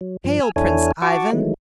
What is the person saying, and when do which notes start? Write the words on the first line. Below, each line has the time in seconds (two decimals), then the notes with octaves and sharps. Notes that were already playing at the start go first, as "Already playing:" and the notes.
'Hail, Prince Ivan!
0.01 F#3
0.24 G2 F3
0.40 G#5 E6 F6
0.56 E2 D4 E4 A4 C#5 G#5
1.02 F#4 F#5 A5 C#6 D6
1.32 D#3 E3 F#3 G#3 A3